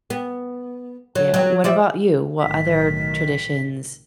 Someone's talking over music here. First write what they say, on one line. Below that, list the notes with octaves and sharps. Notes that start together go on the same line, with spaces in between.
Yeah, what about you? What other traditions
B3
F#3
F#3
F3 D5 E5
B1 A2 D#3 B6